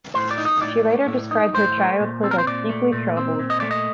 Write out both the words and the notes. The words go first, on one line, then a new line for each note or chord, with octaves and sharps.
She later described her childhood as deeply troubled.
A2 C5
D5
D#4
D#5
A2 D5
A3
A2
D#4
A2 C5
A3
A#2
C4 A4
A#4
C5
A#2 D5
A3
A#2
C4
A#2
D#5
A3 D5
D#5